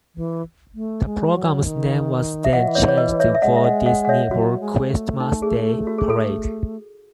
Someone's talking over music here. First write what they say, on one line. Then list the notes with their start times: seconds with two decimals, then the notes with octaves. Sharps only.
The program's name was then changed to Walt Disney World Christmas Day Parade.
0.15 E3
0.74 A3
1.05 G#3
1.34 F#3
1.64 D#3
2.44 E5
2.53 E3 D#5 F#5
2.60 F#3
2.68 E3
2.75 C#5 E5
2.88 C#5
2.98 B4 D#5
3.20 C#5 E5
3.35 E5
3.42 G#3 D#5 F#5
3.56 E5
3.64 D#5 F#5
3.86 D#5 F#5
4.05 F#5
4.09 C#5 E5
4.31 F#3 F#4
4.60 G#3
4.90 A3
5.20 D#4
5.42 G#4
5.87 F#4
5.98 G#4
6.09 A4